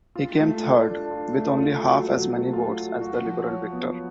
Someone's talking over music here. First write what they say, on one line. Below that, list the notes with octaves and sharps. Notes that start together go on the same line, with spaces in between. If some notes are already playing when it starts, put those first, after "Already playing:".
He came third with only half as many votes as the Liberal victor.
F4
A3
A3
D4
F4
A3
F4
F#3
F#3
A3
F4
F#3
F#4
F3
C#5
B3